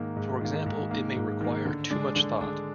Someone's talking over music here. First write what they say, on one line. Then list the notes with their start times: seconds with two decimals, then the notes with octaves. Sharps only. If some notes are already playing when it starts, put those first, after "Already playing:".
For example, it may require too much thought.
Already playing: G#2 D#3 A#3
0.16 G#2
0.41 D#3 A#3
0.66 G#2
0.91 D#3 A#3
1.16 G#2
1.41 D#3 A#3
1.66 D3
1.91 G#3 D4
2.16 D3
2.41 G#3 D4